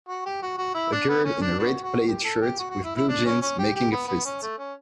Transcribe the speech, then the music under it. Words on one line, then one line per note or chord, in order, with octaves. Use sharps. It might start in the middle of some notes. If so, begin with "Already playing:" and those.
A girl in a red plaid shirt with blue jeans making a fist.
F#4
G4
F#4
F#4
E4
D4
B3
C#4
D4
B3 D4 F#4
F#4
G4
A4
G4
F#4
F#4
E4
E4
D4
C#4
C#4
G4
G4
B3
B3
C#4
A3
C#4